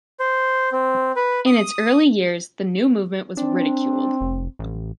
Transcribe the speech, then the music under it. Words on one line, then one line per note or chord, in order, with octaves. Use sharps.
In its early years the new movement was ridiculed.
C5
C4
B4
D#6
C4 D4
F1
A1